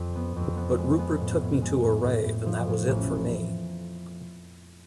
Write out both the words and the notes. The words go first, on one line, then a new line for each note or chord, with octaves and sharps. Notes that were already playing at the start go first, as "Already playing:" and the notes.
But Rupert took me to a rave, and that was it for me.
Already playing: F2
B3
F2
B3
G#3
B3
A2
A2
G#3
A2
A2
A2
F3
A2
A1
A2